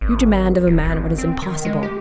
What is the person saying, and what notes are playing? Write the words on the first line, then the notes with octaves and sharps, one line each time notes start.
You demand of a man what is impossible.
G#1
D1
G#1
C4
D#3
G#3
G4